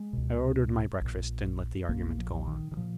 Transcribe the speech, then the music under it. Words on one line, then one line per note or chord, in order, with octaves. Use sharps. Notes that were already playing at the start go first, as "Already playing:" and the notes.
I ordered my breakfast and let the argument go on.
Already playing: G#3
C#2 B2
A#1 A#2
A#1 A#2 A#3
F3
D#3
D#3
A#2 F3